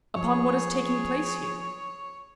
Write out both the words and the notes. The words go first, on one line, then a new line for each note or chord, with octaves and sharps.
"Upon what is taking place here."
F3 G#4 C#5